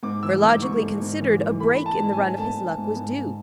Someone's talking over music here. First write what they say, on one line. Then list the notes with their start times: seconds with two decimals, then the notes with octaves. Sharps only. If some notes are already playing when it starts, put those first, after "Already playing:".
For, logically considered, a break in the run of his luck was due.
0.03 G#2 D6
0.23 E3 E6
0.43 G#2 D6
0.62 G#2 C#6
0.82 A3
1.02 G#2
1.21 E3
1.41 E3
1.60 A3 B5
1.79 A3
1.86 A5
1.98 G#2
2.12 G#5
2.18 G#2
2.38 A3 A5
2.57 G#2
2.78 G#2
2.96 G#2
3.16 G#2